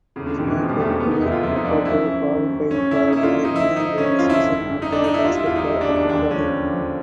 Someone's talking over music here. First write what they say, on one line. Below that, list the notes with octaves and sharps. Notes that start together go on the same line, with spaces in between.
He helped Maputo qualify for the inaugural season of the Basketball Africa League.
E2 C#3
D3
B2 D#3
E3
B2 F3
G3
E2 A3
A#3
F1 B3
D#4
D#2 E4
F4
F3 E4
D#4
F3 D4
F#2 E4
F#2 E4
D#3
F#2
C#3 C#4
C#3 E4
D#4
A#3 E4
F4
F3
D#4
F3 E4
F3 D#4
C#3 C#4
F2 F4
E4
G1
G2
G2 D#4
D4
G1 D#4
E4
G3 F4
E4
E2 F4
D#4
G3 E4
D4
E2
D4
D#2 D4
F3 C#4
D3
F3